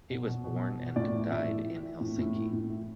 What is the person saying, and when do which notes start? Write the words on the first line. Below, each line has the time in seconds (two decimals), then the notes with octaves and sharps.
He was born and died in Helsinki.
0.10 B2
0.27 B2
0.44 B2
0.62 B2
0.79 B2
0.96 A2 D5
1.14 E3
1.31 A2 E5
1.48 E3
1.66 E3
1.83 E3
2.01 A2
2.18 A2
2.35 E3
2.53 A2
2.69 E3